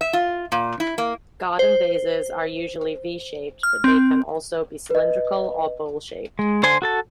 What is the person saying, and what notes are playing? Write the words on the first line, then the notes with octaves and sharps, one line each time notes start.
Garden vases are usually V-shaped but they can also be cylindrical or bowl-shaped.
E5
F4
A#2
E4
A#3
C5
F6
C4
B4 D#5
G#3
D3 C5 G#5 C6
F#4 A4 A5